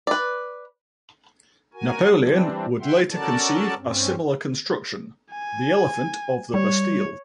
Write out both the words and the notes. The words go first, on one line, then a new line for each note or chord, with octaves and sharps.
Napoleon would later conceive a similar construction, the Elephant of the Bastille.
B4 D5
F#4 A#4 G#5
E3 G3 C4 D4
E5 F#5 G5 C6
C#4 F#4 A4 A#4 D5 A5
G2 C4 C#4
G#5
G3 C#5